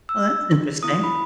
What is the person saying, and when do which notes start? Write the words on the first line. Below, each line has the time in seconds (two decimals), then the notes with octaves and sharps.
Well, that's interesting.
0.09 E6
0.83 B3 E4 A4 D#6
1.04 B5